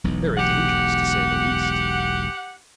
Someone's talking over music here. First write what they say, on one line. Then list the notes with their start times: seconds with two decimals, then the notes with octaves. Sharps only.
"Very dangerous, to say the least."
0.04 E1 B1 E2
0.36 G4 F#5